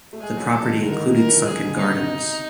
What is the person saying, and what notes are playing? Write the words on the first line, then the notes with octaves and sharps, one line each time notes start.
The property included sunken gardens.
A3
G#3 G#4
F#3
F#3 A4
D#3
E3
D3 A#4
D#3
E3
F3 A#4
E3
F3
F#3
F3 G#4
D#3
D3
C#3 D#4
C3
B2
C3